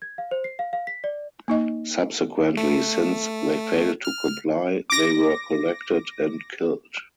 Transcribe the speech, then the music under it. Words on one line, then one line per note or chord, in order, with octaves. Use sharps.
Subsequently, since they failed to comply, they were collected and killed.
G#6
F5
C5
C7
F5
F5
B6
D5
A#3 D#4 D#5
A3
F6
D6 A#6